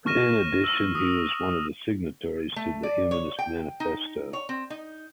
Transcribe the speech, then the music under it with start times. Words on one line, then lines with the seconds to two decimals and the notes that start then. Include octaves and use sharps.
In addition he was one of the signatories to the Humanist Manifesto.
0.06 C#6 F6 A#6 D#7 E7
0.64 E6
0.95 D#6
2.56 A3
2.83 D5
3.11 C#5
3.39 G5
3.80 D#4
4.33 C#5
4.49 C4
4.70 D#4